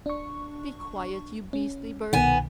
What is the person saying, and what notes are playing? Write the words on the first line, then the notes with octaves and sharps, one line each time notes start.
"Be quiet, you beastly bird!"
D4 C#6
C#4
C2 B2 D#3 B3 G#5